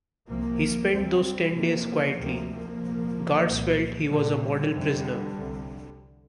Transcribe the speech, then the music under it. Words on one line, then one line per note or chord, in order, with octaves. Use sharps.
He spent those ten days quietly; guards felt he was a model prisoner.
C2 C3 F3 A#3
D2 C3 G3 C4
F2 C3 F3 A#3
D2 C3 F3 A#3
F3 A#3
C2 A#2
C2 A#2
C2 A#2 D3 G3
D3 G3
F2 C3
C2 C3